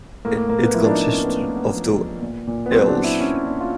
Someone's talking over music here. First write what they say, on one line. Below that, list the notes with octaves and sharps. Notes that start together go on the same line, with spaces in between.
It consists of two ailes.
A2 A#3
A#3
A2 A#3
B3
F3 E4
D4
D#4
F3
C#4
A2 B3
A#3
A2
B3
F3
F3
A#2
A#2
B3
F#3 C4
D4
F#3
E4
A#2 C#4
A#2 D4
F4